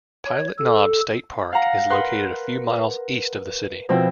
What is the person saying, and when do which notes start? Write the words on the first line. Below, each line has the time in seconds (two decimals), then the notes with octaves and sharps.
Pilot Knob State Park is located a few miles east of the city.
0.25 C#5
0.58 A4
1.53 F5 F#5 A#5
1.90 A#4 B4 F#5 C6
3.89 B2 F3 C4 E4